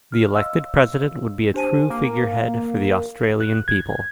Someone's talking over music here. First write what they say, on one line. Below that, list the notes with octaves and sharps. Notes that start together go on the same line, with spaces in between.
The elected President would be a true figurehead for the Australian people.
F6
C#5 D#5 F5 C6 E6
D4 G4 C5 G#5 A5 D#7
A#3
F#6
G#6